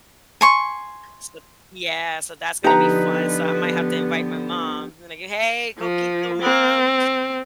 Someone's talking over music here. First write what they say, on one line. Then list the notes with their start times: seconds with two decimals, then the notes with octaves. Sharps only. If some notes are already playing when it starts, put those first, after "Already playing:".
So yeah, so that's gonna be fun. So, I might have to invite my mom, like, "Hey, coquito, mom."
0.41 G#5 C6 C#6
2.64 D3 F3 B3 D#4 G4 B4 A#5
5.78 F3
6.42 C4